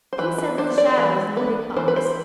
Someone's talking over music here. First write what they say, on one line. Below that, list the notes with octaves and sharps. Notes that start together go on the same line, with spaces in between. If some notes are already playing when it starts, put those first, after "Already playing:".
Tink said that the shadow was in the big box.
C5
E3 B4
B4
B3 D4 C5
D5
E3 B4
B3 D4 B4
E3 C5
B4
C5